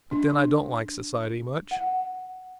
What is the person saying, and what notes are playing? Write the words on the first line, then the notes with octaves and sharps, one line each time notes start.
But then, I don't like society--much.
D4
F#5